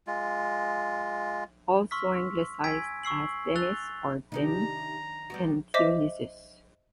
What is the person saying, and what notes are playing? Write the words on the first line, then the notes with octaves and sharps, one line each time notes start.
Also anglicised as Dennis or Denis and Dionysius.
G#3 F4
C6 C#6 E6 F6 B6
G#5 E6 G#6 B6 D7
C#6 E6 C7 F#7
E6 F#6 A6 F7 G7
C3 D#3 D4 D#4 G4 A#5
G3 B3 F#4
C5 D#5 E5 D6 B6